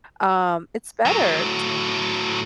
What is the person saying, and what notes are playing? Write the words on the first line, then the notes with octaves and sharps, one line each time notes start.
um, it's better s
A2 F#3